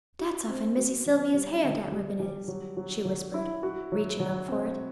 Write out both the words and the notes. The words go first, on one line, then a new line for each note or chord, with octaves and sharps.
"Dat's off'n Missy Sylvia's hair, dat ribbon is," she whispered, reaching up for it.
F#4
C4
F#4
F#3
G3
D3
G3
G3
F#3
F#3
F#3
E4
F#4
F#3
F#3
C4